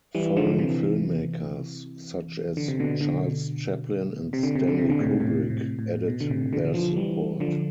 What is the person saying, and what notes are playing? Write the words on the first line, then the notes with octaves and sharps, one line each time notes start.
Foreign filmmakers such as Charles Chaplin and Stanley Kubrick added their support.
E3 G3
D3 F3
C3 E3
D3
C3
B2 D3
B2 D3
C3
D3
C3
D3
C3
D3
A2 C3
A2 C3
A2 C3
A2
B2
D3
A2 C3
B2 D3
E3
D3 F3
E3 G3
D3 F3